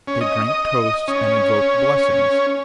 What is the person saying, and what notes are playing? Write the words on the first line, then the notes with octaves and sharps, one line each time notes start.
They drank toasts and invoked blessings.
C#4
D#5
C#4